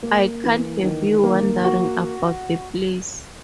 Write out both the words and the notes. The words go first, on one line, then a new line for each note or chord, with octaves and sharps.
I can't have you wandering about the place.
A#3
E3
D#3
A#3
F#4